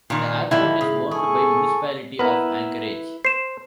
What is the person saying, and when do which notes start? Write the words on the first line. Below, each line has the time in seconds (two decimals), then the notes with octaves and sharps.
The airport is owned by Municipality of Anchorage.
0.10 A#2 D#3 D4
0.51 G#2 D3 D#3 F3 E4
0.81 C#3
1.11 G#4 A4 G#5 C#6
2.19 B3 E4 A#4 B4
3.25 C5 C7 E7